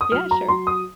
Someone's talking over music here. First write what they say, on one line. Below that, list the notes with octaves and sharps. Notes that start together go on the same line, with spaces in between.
Yeah, sure
D#6
F#3 F6
A#5
F#3 C6
D#6